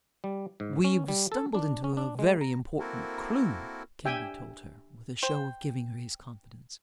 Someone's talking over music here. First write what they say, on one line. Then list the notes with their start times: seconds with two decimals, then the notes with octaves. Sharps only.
"We've stumbled into a very important clue," Kennedy told her, with a show of giving her his confidence.
0.24 G3
0.60 G#2
0.84 C#4
1.08 G3
1.32 A4
1.55 D4
1.84 C#4
1.97 D4
2.19 G#3
2.41 A#5
2.80 A#3 C4 E4 F#4 A4 A#4
4.05 D4 G4 E5 G5 G#5
5.23 C5 G5